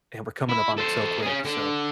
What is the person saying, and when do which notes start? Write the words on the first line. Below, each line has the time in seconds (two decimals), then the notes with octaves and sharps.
and we're coming up on it so quick, so,
0.49 E4
0.77 A4 C5
1.22 C#4 G#4
1.45 D3